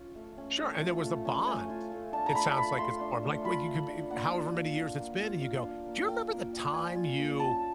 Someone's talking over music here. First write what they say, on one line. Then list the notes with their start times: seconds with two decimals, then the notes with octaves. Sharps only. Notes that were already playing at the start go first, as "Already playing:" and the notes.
Sure and there was a bond, it sounds like it's formed. Like, when you could be if however many years it's been, and you go, "Do you remember the time you"
Already playing: C#4 F4
0.15 A3
0.38 C#4
0.59 A3
0.82 F4
1.03 A3
1.25 C#4
1.47 A3 G#5
1.70 F4
1.92 A3
2.13 D4 A5
2.26 A#5
2.35 A3 B5
2.57 F4 B5
2.78 A3 C6
3.01 D4
3.23 A3
3.44 F4 B5
3.67 A3
3.88 D4
4.10 A#3 F#5
4.32 F4
4.54 A#3
4.77 D4
4.99 A#3
5.20 F4
5.42 A#3 F5
5.64 D4
5.87 A#3
6.08 F4 G5
6.30 A#3
6.53 D4
6.73 A#3 G#5
6.96 F4
7.18 A#3
7.39 C#4 A5